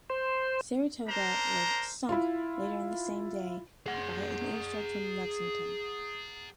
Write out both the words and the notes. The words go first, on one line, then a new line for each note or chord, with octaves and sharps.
"Saratoga" was "sunk" later the same day by an airstrike from "Lexington".
C5
D4 A#4 C5 A#5
E4 F4
G#4 F#5